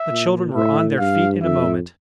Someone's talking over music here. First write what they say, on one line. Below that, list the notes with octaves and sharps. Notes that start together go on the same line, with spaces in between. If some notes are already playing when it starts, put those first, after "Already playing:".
The children were on their feet in a moment.
Already playing: E5
A#2
A2 E5
G2 F5
F2 E5